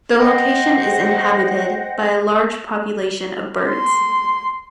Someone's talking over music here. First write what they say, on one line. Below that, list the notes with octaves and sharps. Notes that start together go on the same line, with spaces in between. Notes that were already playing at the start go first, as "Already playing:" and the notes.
The location is inhabited by a large population of birds.
C5 D#5 F#5 G5
C6